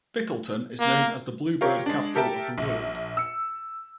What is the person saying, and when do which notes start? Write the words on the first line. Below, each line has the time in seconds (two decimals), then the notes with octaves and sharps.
Bickleton is known as the bluebird capital of the world.
0.80 A#3
1.61 F4 G4 A#4 C#5
1.86 G#3 D4
2.15 G4 A4 A#4 E5 G5 A5
2.58 A#1
3.17 E6 C#7